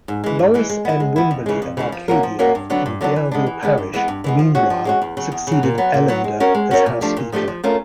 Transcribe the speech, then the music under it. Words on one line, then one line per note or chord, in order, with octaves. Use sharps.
Lorris M. Wimberly of Arcadia in Bienville Parish, meanwhile, succeeded Ellender as House Speaker.
G#2
E3 G#3
G#2
E3 G#3
G#3
B3 E4
G#3
B3 E4
F2
C#3 E3 G#3
F2
C#3 E3 G#3
F3
A#3 C#4 F#4 A#4
F3
A#3 C#4 F#4 A#4
G2
D3 F#3 B3 D4
G2
D3 F#3 B3 D4
E3
G#3 B3 D4
E3
G#3 B3 D4
G2
E3 G#3 B3
G2
E3 G#3 B3
F3
G#3 C#4 F#4
F3
G#3 C#4 F#4
E2
C#3 F#3
E2
C#3 F#3
A#2
F#3 B3
A#2
F#3 B3
G#3
C#4 F#4 A#4 C#5
G#3
C#4 F#4 A#4 C#5
A#2
F3 A3 D4 G4
A#2
F3 A3 D4 G4
F3
A3 C#4 F4 A#4